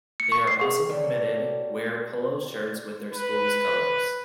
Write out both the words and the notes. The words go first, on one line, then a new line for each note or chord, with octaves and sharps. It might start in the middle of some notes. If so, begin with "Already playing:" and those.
They are also permitted wear polo shirts with their schools' colors.
C#7
C#6
C7
G#4
F#3 G3 A#3 A4
B4